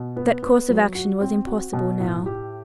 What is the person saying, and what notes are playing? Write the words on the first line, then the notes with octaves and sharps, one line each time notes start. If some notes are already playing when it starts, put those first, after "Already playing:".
That course of action was impossible now.
Already playing: B2
B3
B3
F#3
F#4
C4
F#4
B2
A2
G4